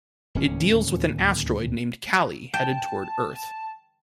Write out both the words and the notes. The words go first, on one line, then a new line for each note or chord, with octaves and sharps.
It deals with an asteroid named Kali headed toward Earth.
D1 D#2 C#4
G5 A5